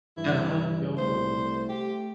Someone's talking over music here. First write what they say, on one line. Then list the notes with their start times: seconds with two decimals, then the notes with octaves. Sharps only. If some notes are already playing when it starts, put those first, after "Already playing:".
And I yo
0.17 G2 E3 E4
0.98 C2 A3 C5
1.69 G4